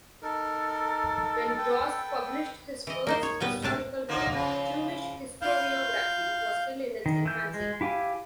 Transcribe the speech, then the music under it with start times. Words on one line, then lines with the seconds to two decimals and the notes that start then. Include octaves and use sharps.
When Jost published his first historical work, Jewish historiography was still in its infancy.
0.22 D#4 A4 A#4
1.58 B4 G5
2.87 E3 D#5
3.07 A#3 D#4 C5
3.23 C#5
3.40 A#2 G3 B3 B4
3.62 A2 C3 D4 A5
4.09 D3 A#3 D#4
4.33 C#3 F3
5.42 E4 F4 F5 G6
7.06 D#3
7.25 E3 G6
7.54 G#3
7.81 E4 G4 F5 G#5